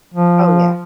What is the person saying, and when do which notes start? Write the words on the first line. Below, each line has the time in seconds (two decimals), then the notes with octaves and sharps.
Oh, yeah.
0.14 F3